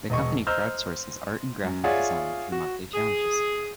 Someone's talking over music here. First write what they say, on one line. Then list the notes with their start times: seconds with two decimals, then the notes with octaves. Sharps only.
The company crowdsources art and graphic design through monthly challenges.
0.10 E1 D#5 C#6
0.47 C5 D#5 A#5 E6 F6 G6
1.64 F#2
1.84 F4 G#4 C#5 D5 E5 F#5
2.52 F#4
2.94 G#4